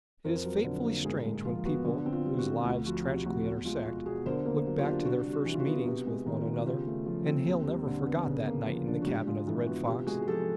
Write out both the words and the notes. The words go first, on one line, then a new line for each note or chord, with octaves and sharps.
It is fatefully strange when people, whose lives tragically intersect, look back to their first meetings with one another, and Hale never forgot that night in the cabin of the Red Fox.
F2 A#4 C5
F#3
D3
A#3
G#2 G#4 A#4
G#3
F3 F4
B3 F#4
D3 F#4
C4
F4
G3
F#4
F4
D2 F4
F3 F#4
C3 F#4
D2 F#4
E2 F#4
G#3 F4
B2 F#4
E2 F#4 G#4
D3 A#4 C5
A#3
F#3
F4 G4
D4
C3 F#4
G3
F#4
E3
F4
F#4
B3
C3
G#3
D#3
B3 F4
F#4
C#3 F4 G4
A3
F3
C4
D#2
G3
D3
B3
C#3
A#3
F3
D4
F#4
G#2 F4 G4
G#3 F4
E3 F4
B3 F#4
C3 F4 G4
G#3 F#4 G#4
G#4
F3 G4 A4